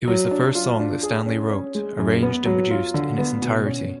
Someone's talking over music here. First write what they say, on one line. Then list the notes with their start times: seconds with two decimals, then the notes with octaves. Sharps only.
It was the first song that Stanley wrote, arranged and produced in its entirety.
0.08 F#3
0.31 D4
0.55 F4
0.80 D4
1.03 G#4
1.26 C#4
1.51 C#4
1.75 G#3
1.99 F#2
2.22 B3
2.46 F#3
2.71 F4
2.94 D3
3.18 B3
3.42 B2
3.66 C#4